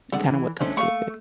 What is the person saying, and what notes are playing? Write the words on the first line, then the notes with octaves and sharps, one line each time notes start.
and kinda what comes with it.
G2 C3 G#3 A4 D5 F#5
E3
D3 D#3 A3 C#4 D4 C5
A3 A#3 E5 F5 C#6